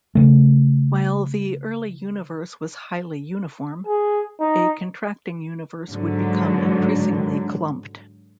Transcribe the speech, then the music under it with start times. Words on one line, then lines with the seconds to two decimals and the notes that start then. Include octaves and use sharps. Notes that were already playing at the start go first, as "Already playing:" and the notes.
While the early universe was highly uniform, a contracting universe would become increasingly clumped.
0.15 C#3 A3
3.87 G#4
4.40 D#4
5.90 G#2 D3 F#3